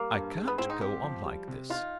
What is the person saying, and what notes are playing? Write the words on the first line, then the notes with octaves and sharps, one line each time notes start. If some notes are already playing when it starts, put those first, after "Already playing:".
I can't go on like this.
Already playing: G3 A#3
G2
G#3
B3
G#2 C4
D#4
C4 G4
F3
G3
C3
D#4 F4